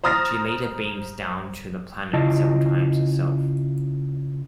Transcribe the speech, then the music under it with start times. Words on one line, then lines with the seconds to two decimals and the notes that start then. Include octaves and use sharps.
She later beams down to the planet several times herself.
0.04 C5 A#5 D#6 F6 A6 A#6
2.13 C#3 E4 F4 D#5 A5